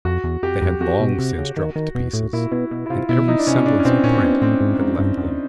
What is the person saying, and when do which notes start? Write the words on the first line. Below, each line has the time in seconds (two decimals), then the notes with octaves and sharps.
They had long since dropped to pieces, and every semblance of print had left them.
0.05 F2 F#4
0.24 E2
0.43 F2 G4
0.62 F2
0.80 F2 F#4
1.00 B2
1.19 C3
1.38 C#3
1.57 D#3
1.76 D#3
1.95 B2
2.13 A2
2.33 A#2 E4
2.52 B2 E4
2.71 B2
2.86 E4
2.90 C3 F4
3.09 B2 E4
3.28 D#4
3.39 D4
3.47 C3 C#4
3.66 D4
3.80 C#4
3.85 B2 C4
4.04 A#2 C#4
4.14 C4
4.23 B2 C#4
4.42 A2 C4
4.61 G#2
4.80 G#2
4.99 G2
5.17 F#2